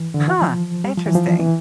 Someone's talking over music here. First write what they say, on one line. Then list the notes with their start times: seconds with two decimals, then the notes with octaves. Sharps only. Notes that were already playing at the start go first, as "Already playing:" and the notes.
Huh. Interesting.
Already playing: E3
0.14 D3
0.28 E3
0.42 F3
0.84 G3
0.98 F3
1.06 E3
1.15 F3
1.40 E3